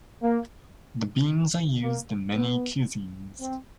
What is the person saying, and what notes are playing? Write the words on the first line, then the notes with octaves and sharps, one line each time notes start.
The beans are used in many cuisines.
A#3
A#3
B3
C4